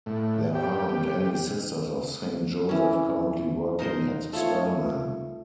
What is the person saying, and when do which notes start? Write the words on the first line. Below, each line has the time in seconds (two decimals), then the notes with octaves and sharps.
There aren't any Sisters of Saint Joseph currently working at Spellman.
0.06 A2
0.55 G4
2.69 E3 C#4
3.79 D#4 A#4 C5 D#5
4.33 A3 F4 C#5